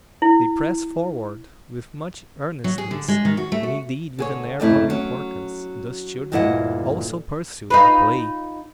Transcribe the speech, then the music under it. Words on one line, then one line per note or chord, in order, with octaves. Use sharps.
They press forward with much earnestness, and indeed with an air of importance; thus children also pursue their play.
E4
F#3
G#4
D3
G#3
D#3
F#4
A3
F#4
D3 G#4 C#5
F2 G#2 C3 A3 C#4 E4
F#3 C#4
D2 G2 A#2 E4 D#5 F#5
D#4 F4 B4